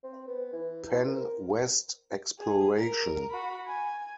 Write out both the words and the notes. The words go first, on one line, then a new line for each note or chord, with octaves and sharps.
Penn West Exploration.
C4
B3
E3
C4
A#4
G#4
A#4
F#4 B5
G#5